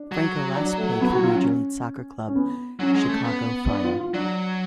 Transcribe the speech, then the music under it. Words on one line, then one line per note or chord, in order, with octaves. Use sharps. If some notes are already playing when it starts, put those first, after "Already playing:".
Franco last played for Major League Soccer club Chicago Fire.
Already playing: D4
F#3
D4
A3
B3
F#4
F4
C#4
C#4
B3
F#3 C#4
G#3
A3
B3
D4
F4
F4
F#3 D4